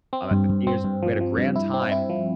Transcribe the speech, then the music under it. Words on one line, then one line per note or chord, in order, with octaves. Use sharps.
I'm at the theaters, we had a grand time.
C4
G2
G2
C4
G2
F3
F3
G2
E4
C4
E4
F3